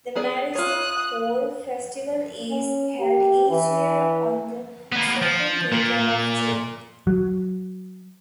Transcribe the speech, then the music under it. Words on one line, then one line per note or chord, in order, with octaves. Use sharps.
The Marissa Coal Festival is held each year on the second weekend of June.
B3 G#4 D5
F4 C#5 D#6 F#6
C#4
G4
E3
A#3 B3
F3
A#2
F#3